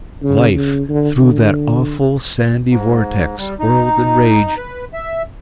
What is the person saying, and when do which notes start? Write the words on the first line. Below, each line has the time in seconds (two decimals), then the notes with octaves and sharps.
Life, through that awful sandy vortex, whirled and raged.
0.23 C#3
0.54 C#3
0.89 D3
1.20 D3
2.68 G#2
3.38 G3
3.60 D#4
4.58 B4
4.93 E5